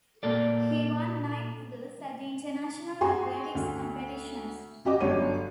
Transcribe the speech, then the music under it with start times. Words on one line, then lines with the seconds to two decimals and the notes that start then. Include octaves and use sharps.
He won nine medals at the International athletics competitions.
0.23 A#2 A#3 A4 D5
3.01 F#4 G#4 G5 G#5 C6 C#6
3.55 D2
4.85 C#3 F#4 G4 D#5 D6
5.00 G1 F#3 D4 C#5 D#7